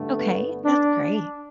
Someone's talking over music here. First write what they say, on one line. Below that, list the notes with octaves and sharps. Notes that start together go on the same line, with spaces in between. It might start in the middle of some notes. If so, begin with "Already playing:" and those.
Okay, that's great.
Already playing: G2 D3 A3
B3
D4